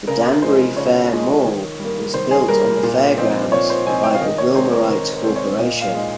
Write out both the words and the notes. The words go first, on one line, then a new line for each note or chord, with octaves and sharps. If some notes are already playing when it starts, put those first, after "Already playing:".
The Danbury Fair Mall was built on the fairgrounds by the Wilmorite Corporation.
C#3 A#4
F3 G#3 D#4 C5
C#3 C#5
F3 G#3 D#4
D#3
G3 A#3
D#3 C5
G#4
G3 A#3 A#4
A#2
F3 C4 D#4
A#2 C#5
C5
F3 C4 D#4 G#5
G5
F5
D#3 D#5
C#5
G#3 C4 C5
A#4
D#3 A#4
A#4
G#3 C4
C#5
A#2 D#5
F5
G#3 D#4